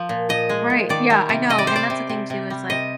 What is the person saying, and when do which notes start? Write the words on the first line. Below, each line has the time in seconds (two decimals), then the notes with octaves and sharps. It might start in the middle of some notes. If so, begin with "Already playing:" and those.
Right, yeah, I know, and that's the thing too, is, like,
Already playing: F3
0.09 A#2
0.29 A#2 D#5
0.49 G#3
0.70 A#2
0.89 D#3 D5
1.10 G3
1.29 C3
1.50 C3 D#5
1.58 D5
1.67 G3 C5
1.76 D5
1.90 C3
2.09 C3
2.30 C3
2.50 G3
2.70 C3 D#5